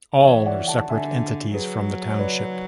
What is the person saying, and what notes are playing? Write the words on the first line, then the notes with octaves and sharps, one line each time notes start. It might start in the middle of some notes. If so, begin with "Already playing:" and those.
All are separate entities from the township.
E3 C#5 E5
D5 F#5
F#5 A5
D3 E5 G#5
F#3 G#4 B4
C#5
B4 D5